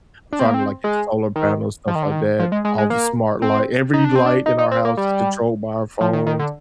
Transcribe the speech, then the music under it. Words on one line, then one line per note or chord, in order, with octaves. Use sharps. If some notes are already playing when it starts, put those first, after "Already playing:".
I'm trying to like get solar panels, stuff like that, all the smart light every light in our house is controlled by our phones,
D4
C4
A#3
C4
G#3
D#3
F3
D#3
D3
D#3
F3
G#3
G#3
G#3
A#3
C4
D#4
D4
C4
D4
D#4
D#4
C4
A#3
G3
F3
D#3
D#3
D3